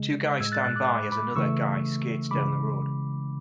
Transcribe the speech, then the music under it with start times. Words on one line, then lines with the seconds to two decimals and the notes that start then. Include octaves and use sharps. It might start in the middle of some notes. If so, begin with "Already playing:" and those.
Two guys stand by as another guy skates down the road.
Already playing: C#3 G#3
0.40 A2 G#3 E6 G#6
0.52 F#6 A6
0.64 F#6 A6
0.76 D6 F#6
0.88 B5 D6
1.12 B5 D6
1.36 C#3 E3 A3 C#6 E6
2.31 C#3 E3 G#3 B5 D6